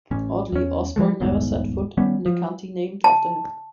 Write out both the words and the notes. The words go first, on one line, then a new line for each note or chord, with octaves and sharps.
Oddly, Osborne never set foot in the county named after him.
A1 C#4
E2 C#4
E3 F3 G#3 A3
D#1 B1 E2 G#2
D#3 G3 B3 C#4
F3
A5